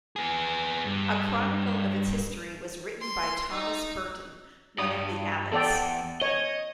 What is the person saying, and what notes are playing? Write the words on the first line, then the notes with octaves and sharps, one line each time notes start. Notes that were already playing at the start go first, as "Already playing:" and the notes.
A chronicle of its history was written by Thomas Burton, one of the abbots.
B3 G#4
G2
C6
D#4
G2 D#6
E2 A4 D5 G5
C#5 D#5